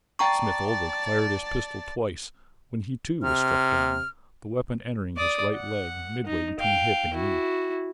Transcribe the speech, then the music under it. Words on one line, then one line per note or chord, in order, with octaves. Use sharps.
Smith-Oldwick fired his pistol twice when he too was struck down, the weapon entering his right leg midway between hip and knee.
D5 G5 A5 A#5 C#6
C3 F6
D5 D#6
F#5
D#4
F5 G5
E4 F#4